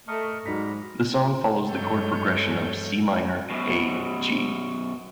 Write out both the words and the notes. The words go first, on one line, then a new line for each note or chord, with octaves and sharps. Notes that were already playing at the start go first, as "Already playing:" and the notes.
The song follows the chord progression of Cm–A–G.
A3 A#4 D#5 C#6
G#2 F#3 G3 D#4 A#5 B6
G2 F#3 G#3 A4 C#5 G6
F#2 B2